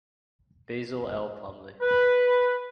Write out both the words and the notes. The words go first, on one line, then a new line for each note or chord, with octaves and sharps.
Basil L. Plumley.
B4